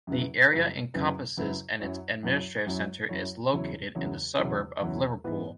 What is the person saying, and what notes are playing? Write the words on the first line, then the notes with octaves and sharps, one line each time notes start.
The area encompasses and its administrative centre is located in the suburb of Liverpool.
F#2 C#3 F#3 E4 B4
F#2 C#3 F#3 E4 B4
F#2 C#3 F#3 E4 B4
F#2 C#3 F#3 E4 B4
F#2 F#3 E4 C#5
F#2 F#3 E4 C#5
F#2 F#3 E4 C#5
F#2 F#3 E4 C#5
E2 C#3 F#3 E4 C#5
E2 C#3 F#3 E4 C#5
E2 C#3 F#3 E4 C#5
E2 C#3 F#3 E4 C#5
G#2 E3 B3 E4 B4